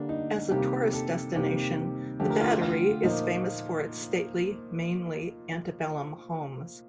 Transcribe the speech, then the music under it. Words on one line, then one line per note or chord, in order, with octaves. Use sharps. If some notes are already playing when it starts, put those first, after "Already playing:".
As a tourist destination, the Battery is famous for its stately, mainly antebellum homes.
Already playing: D3 G3 A#3 D4
D#4
C3 D#3 G3 A#3 G4
A4
C3 D#3 G3 A#3 G4
D3 F3 A3 G4
A#4
F4
F4
F4
A#2 F3 A#3 D#4